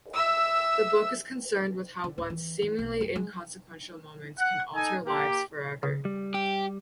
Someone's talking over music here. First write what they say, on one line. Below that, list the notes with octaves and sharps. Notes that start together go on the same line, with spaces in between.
The book is concerned with how one seemingly inconsequential moment can alter lives forever.
E5 E6
D3
D1
E3
E3
B1
F#2
G#3
F#5
D#4 A4 G#5
A#3 G4
C#3
G3
G4